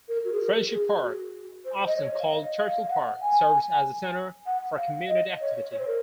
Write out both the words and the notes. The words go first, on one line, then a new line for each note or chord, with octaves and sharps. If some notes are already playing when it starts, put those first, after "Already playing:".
Friendship Park, often called Turtle Park, serves as a center for community activity.
A#4
F#4
G#4
A#4
G#4
F#4
C5
D#5
C#5
F5
D#5
F5
F5
F#5
G#5
F#5
F5
D#5
C#5
C#5
C5
A#4